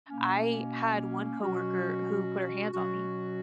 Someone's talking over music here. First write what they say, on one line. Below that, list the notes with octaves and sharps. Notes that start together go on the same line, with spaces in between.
I had one coworker who put her hands on me.
B2 A#3 C#4
B2 F#3 C#4 F#4
B2 F#3 C#4 F#4